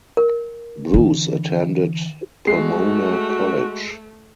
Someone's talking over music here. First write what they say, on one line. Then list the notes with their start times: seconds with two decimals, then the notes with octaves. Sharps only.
Bruce attended Pomona College.
0.17 A#4
0.94 D3 E3
2.47 G#3 A3 F#4 C7